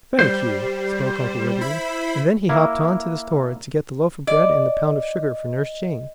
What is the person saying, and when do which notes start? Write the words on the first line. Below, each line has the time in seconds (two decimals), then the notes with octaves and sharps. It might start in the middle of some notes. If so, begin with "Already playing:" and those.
"Thank you," spoke Uncle Wiggily, and then he hopped on to the store to get the loaf of bread and the pound of sugar for Nurse Jane.
0.19 G3 C5
1.61 E4 B5
2.49 A#3 E4
4.27 D5 D#5